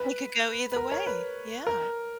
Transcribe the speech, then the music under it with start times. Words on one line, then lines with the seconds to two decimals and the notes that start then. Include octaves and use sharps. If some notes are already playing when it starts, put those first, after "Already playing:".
It could go either way, yeah.
Already playing: B4
0.72 B4
0.76 A#4
0.92 C#5
1.07 B4
1.67 A#4